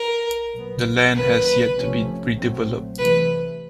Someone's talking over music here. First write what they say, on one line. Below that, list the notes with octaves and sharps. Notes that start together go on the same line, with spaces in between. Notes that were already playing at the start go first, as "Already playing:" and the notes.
The land has yet to be redeveloped.
Already playing: A#4
B2 F#3 B3
F#2 D#3 F#3 A#3 C#4 B4
C3 F3 A3 C#4
A#2 F#3 A3 C4
C3 E3 A3 B4